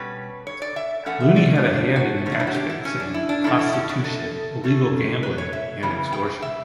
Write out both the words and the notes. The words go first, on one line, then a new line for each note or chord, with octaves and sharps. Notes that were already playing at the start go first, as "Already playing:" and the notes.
Looney had a hand in match fixing, prostitution, illegal gambling, and extortion.
Already playing: B2 G3 C#4 B4
C#5
D5
E5
E3 A3 C#4 F#5
E5
D5
C#5
D4
F#4
D3 A3 C#4
D4
E4
F#4
G4
E4
C#4
D4
E4
D4
A2 E3 A3 C#4 E4
E4
C#4
D4
A4
E3 A3 C#4
B4
C#5
E5
C#3 E3 G3 B3
G5
E5